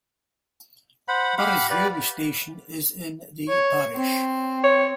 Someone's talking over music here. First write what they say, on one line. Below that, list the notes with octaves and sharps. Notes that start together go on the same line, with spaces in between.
Bures railway station is in the parish.
C5 F#5 B5
G4 F5 F#5 B5
G4 B4 D5
C#5
C4
C#5